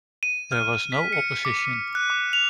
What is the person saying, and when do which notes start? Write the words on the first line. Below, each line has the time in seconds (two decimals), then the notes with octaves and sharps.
There was no opposition.
0.23 D#7
0.52 F6
0.92 B6
1.13 C#7
1.45 D6
1.65 D6
1.95 F#6
2.10 D6
2.33 F7